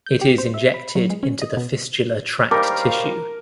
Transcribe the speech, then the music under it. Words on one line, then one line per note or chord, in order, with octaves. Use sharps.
It is injected into the fistula tract tissue.
G6
G4
C5
E5
B5
F#3
G#3
C#4
D#5
B2
G3 D#4 A#4 C5 C#5 F5 D6